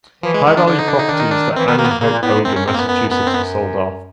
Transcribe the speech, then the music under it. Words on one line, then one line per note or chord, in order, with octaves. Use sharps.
High-value properties that Ann and Hope owned in Massachusetts were sold off.
E3 F3
G#3
D#3 G#3
D4
D3 D4
D#4
D4
D#4
D#3 D4
D#4
D4
D#3
E3 C4
D#3 B3
D#3 A#3
B3
A#3
C#3 A#3
A#2
A2 B3
G#2
F#2 C4
C#4
C4
A#3
B3
B3
B3
C4
B3